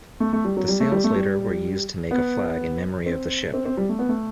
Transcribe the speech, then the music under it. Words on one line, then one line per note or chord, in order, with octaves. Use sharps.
The sails later were used to make a flag in memory of the ship.
A3
A3
G3
F#3
G3
A3
G3
A3
G3
B3
C4
C4
C4
G3
A3
B3
A3